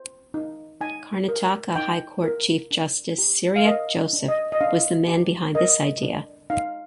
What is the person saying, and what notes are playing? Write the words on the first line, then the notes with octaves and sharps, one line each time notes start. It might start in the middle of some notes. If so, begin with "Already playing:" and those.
Karnataka High Court Chief justice Cyriac Joseph was the man behind this idea.
Already playing: C5
D#4
D#4 G#5
A#4
D#4 G5
A#4
D4
G4
F5
A#4 D#5
D4
D#5
D#5
D4 F5
G4
A#4 D#5
D4
D#4 F5